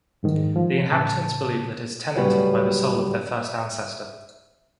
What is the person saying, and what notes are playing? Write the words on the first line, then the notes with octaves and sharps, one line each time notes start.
The inhabitants believe that it is tenanted by the soul of their first ancestor.
F2 G#2 D#3
F3
A2 C#3 A5
D2 A2 C#3 F#3 G3 B4
E5